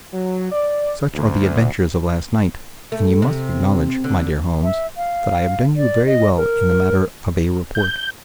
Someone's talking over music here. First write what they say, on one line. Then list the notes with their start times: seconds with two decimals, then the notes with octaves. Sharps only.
Such are the adventures of last night, and you must acknowledge, my dear Holmes, that I have done you very well in the matter of a report.
0.13 F#3
0.52 D5
1.13 D2
2.92 A3
3.22 C3
4.04 D3
4.63 E5
4.97 F5
5.76 D5
6.06 D#5
6.37 A#4
7.75 G6